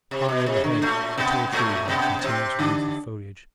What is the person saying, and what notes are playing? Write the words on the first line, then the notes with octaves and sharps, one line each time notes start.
High overhead, the tall trees made a continuous roof of foliage.
C3
B2
C3
D3
A2 A3
B2 B3
A2 A3
B2 B3
B3
C3 C4
D3 D4